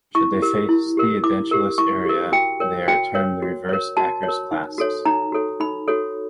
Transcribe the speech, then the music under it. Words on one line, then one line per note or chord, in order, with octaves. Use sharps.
Should they face the edentulous area, they are termed reverse Akers' clasps.
E4 C#6
G4 A#4
E4
G4 A#4
E4 D6
G4 A#4
E4 C#6
G4 A#4
F#4 G5
A#4 C#5
F#4 G5
A#4 C#5
F#4
A#4 C#5
F#4 A5
C#5
A#4
D#4
F#4 A4 C#5
D#4 A#5
F#4 A4 C#5
D#4 B5
F#4 A4 C#5